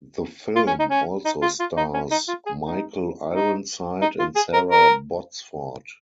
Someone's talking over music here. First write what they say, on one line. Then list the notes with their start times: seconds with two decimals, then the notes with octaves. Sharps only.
The film also stars Michael Ironside and Sara Botsford.
0.56 F4
0.67 C#4
0.79 D#4
0.90 C#4
1.25 D#4
1.42 F4
1.60 F4
1.77 D#4
1.94 C#4
2.11 D#4
2.28 F4
2.46 G#4
2.63 D#4
3.32 D#4
4.01 D#4
4.19 F4
4.35 G#4
4.53 A#4
4.70 A#4